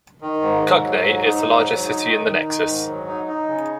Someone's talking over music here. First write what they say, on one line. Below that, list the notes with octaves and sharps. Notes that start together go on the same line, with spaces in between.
Kugnae is the largest city in the Nexus.
D#3
G#2
G#2
F#3
G#2
D#4
G#2
F#3
D#4
D#3
D#4
D#3
G#2
F#3
D#4
D#4
C#3